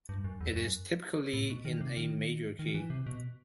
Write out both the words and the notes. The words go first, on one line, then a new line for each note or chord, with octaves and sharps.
It is typically in a major key.
G2
F#2
E2
F#2
A2
B2
D#3
C3
D#3
D#3
E3
C3
B2